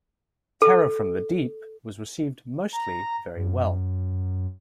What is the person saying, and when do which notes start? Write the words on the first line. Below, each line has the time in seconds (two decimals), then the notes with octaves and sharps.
"Terror from the Deep" was received mostly very well.
0.62 A4
2.72 A#5
3.36 F#2